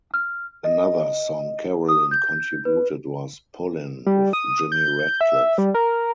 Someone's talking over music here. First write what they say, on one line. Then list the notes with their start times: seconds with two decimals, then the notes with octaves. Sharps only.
Another song Carolyn contributed was "Pullin'" with Jimmy Radcliffe.
0.14 F6
0.64 D#5
1.88 D#6
2.11 G6
2.65 B4
4.06 G3
4.33 D#6
4.72 G6
5.21 E5
5.58 G3
5.74 A#4